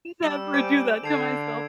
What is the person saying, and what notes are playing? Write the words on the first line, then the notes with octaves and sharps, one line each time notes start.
Never do that to myself.
G3 E6 E7
C5 G#5 D6 G6 D7
D3 A4 A5 G#6 C7 F7